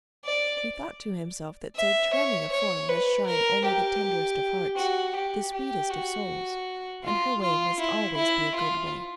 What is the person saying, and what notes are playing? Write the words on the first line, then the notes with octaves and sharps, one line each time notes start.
He thought to himself that so charming a form must shrine only the tenderest of hearts, the sweetest of souls, and her way must always be a good way.
D5
E5
C#5
C#5
B4
A#4
G4
F#4
G4
G4
F#4
F4
F4
E4
E4
F4